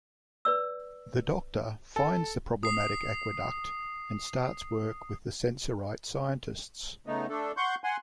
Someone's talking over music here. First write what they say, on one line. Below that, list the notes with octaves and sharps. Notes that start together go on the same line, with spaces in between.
The Doctor finds the problematic aqueduct and starts work with the Sensorite scientists.
B4 D5 E6
A4
D#6 C7
C#3 A3 B3 D#4
A3 D4 A4
F#5 C6 C#6 G6
F#5 G#5 C6